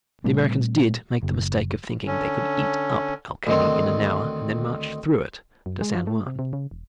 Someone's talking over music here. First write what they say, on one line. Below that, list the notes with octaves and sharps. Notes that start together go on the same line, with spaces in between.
The Americans did make the mistake of thinking they could eat up El Caney in an hour and then march through it to San Juan.
A#2 G3 A3 C4
F#1
D3 C#4
D2 D#3 C4
F#2
G#3
F3
A3
C3
C3
C#3
E1